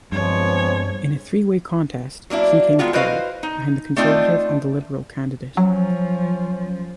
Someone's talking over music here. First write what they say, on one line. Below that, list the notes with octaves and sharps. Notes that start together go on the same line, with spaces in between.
In a three-way contest she came third, behind the Conservative and the Liberal candidate.
G2 F3 G#3 B3 C4 C#5
F#3 A#3 D4 E4
D#3 G#3 B3 F4 F#4
E4 F#4 B4 C5 D#5 F5
D#4
A3 C4 D4 D#4 F4
F3 F#3 C#4